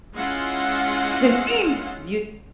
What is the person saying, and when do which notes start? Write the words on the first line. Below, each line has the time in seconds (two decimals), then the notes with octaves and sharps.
They seem you
0.14 G#3 C#4 E4 F4 F#5